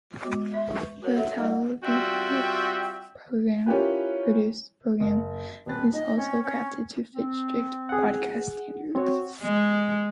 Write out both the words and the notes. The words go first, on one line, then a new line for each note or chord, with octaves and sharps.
The Televisa produced programming is also crafted to fit strict broadcast standards.
G#3 B3 F#4 D6
E5 C6
B4 C#6
F#4 G#4 A#4 C5 C#5 F#5
A4 E5
G3 A#3 D#4 F4 D#5 F#5
G3 C4 F4 F#4 E5 G5
C#4 E4 F4 G4 A#4 B4
F#1
D#1 C4 B4 A6
D#4 D#5
C4 C#4
C#4
C4
G#4 F#5
C4 F#4 C#5
G#3